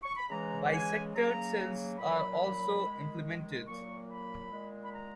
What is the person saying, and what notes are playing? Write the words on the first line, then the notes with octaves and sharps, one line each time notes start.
Bisectored cells are also implemented.
C#6
B5
C#3 E3 G#3 A#5
G#5
C#3 F#3 A#3 A#5
A#2 F#3 A#3 B5
D#3 G#3
A#2 F#3 A#3 C#6
B5
A#2 G#3
B5
A#5